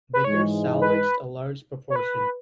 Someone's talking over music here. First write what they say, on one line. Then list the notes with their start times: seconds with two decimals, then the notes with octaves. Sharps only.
Vickers salvaged a large proportion.
0.13 B4
0.24 G#2 E3 G#3 C#5
0.81 B4
1.90 C#5
1.96 B4